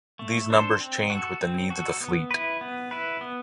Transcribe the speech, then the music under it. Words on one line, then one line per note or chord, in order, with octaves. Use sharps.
These numbers change with the needs of the fleet.
A3
D4 A4 C5
C4
F#4 A4
C4
F#4 A4
B3
E4 B4
B3
E4 B4
B3